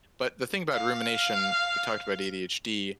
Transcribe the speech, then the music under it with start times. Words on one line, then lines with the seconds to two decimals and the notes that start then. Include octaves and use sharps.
But the thing about rumination, we talked about ADHD,
0.74 F5